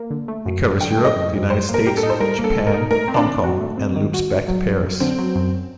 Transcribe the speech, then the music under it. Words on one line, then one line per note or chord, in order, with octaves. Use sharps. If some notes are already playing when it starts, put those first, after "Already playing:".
It covers Europe, the United States, Japan, Hong Kong, and loops back to Paris.
Already playing: A#3
D3
A3
F#2
F#2
D3 G5
A3
D#5
F#2
F#2
G3 C5
A#3
A#4
A2 G4
A4
D#4
C5
G3 A#4
A#3
A4
A2
A#4
D#4
A3 A#4
C4
D4
D#3
F#4
A3
C4
D#3
F#4
D3
F#3
F#2
F#2
D3 C4
F#3
F#2